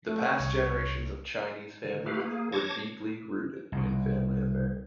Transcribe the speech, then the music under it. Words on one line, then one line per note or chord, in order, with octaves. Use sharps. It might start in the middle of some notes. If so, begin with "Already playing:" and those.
The past generations of Chinese families were deeply rooted in family affairs.
A3
C#5
C2
D3
A3 E4 F#4 G4 B4 F5
A#3 G#4
C#5 A5 D6 G#6 A#6
C2 B2